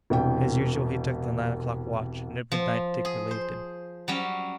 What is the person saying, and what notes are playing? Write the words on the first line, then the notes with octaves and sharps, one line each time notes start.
As usual, he took the nine-o'clock watch, and at midnight Dick relieved him.
E1 C2 G5
F3
G#4
C5
F#3 G3 C#4